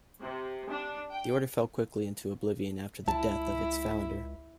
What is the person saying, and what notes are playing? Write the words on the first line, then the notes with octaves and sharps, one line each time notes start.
The order fell quickly into oblivion after the death of its founder.
C3
D4
G5
C#2 E4 A5